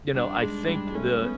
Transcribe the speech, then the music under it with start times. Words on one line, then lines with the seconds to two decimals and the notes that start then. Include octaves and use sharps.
you know, I think the
0.14 G3 D4
0.41 G#3
0.64 G#3
0.68 G3
0.87 G#3
0.95 A3 C#4
1.22 B3